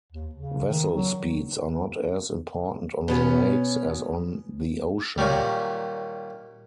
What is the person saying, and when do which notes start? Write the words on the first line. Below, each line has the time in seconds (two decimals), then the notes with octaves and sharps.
Vessel speeds are not as important on the Lakes as on the ocean.
0.12 D#2
0.35 C#3
0.69 D#3
0.93 F#3
3.08 B2 B3 C#4
5.18 A#2 D#3 F#3 G3